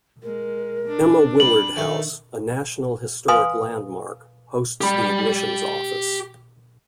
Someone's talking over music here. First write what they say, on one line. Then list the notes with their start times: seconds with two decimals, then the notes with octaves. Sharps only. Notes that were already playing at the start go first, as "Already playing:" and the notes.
Emma Willard House, a National Historic Landmark, hosts the admissions office.
0.23 G#3 A#4
0.88 D4
1.40 G3 F#7
1.76 D#3 A3
3.28 B4 F5 G#5 C6 D#6
4.81 G4 B5